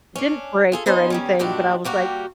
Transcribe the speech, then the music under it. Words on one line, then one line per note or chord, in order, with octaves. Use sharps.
It didn't break or anything, but I was like,
C#4 D4
F4 G#4 A4
B3 D#4 C5 D#5 G#5
D#3 G3 C#4
G2 A#2 D#3 D4 F#4
G3 A#3 F#4 G4